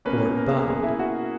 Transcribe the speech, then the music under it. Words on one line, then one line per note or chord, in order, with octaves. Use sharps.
Fort bowed.
B2 A#3 C#4 B4
A#4
G#4
A#4
G#4
E4
F#4